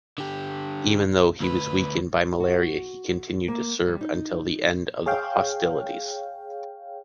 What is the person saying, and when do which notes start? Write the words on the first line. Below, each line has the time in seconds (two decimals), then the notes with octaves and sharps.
Even though he was weakened by malaria, he continued to serve until the end of the hostilities.
0.18 D3 G4
1.40 D2 B4
2.40 F#4
3.48 A#3
3.87 G3
4.01 D#4
5.06 G#4 C#5 F5 G5